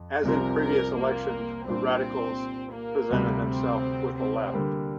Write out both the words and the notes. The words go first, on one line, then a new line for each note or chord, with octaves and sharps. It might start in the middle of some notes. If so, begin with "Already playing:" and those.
As in previous elections, the radicals presented themselves with the left.
Already playing: F2
C2 C3 F3 C4 A#4
A#4
A#3
A#2 G3 C4 D4 G4
A#3
D2 C3 G3
C4
C4
D3 G3 A#3 G4